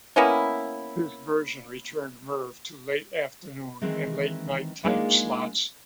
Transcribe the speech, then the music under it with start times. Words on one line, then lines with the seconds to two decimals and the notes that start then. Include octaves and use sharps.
This version returned Merv to late-afternoon and late night time slots.
0.16 A#3 B3 C#4 E4
3.82 D#3 E3 G#3 C4
4.84 G#3 A#3 D4 D#4 F4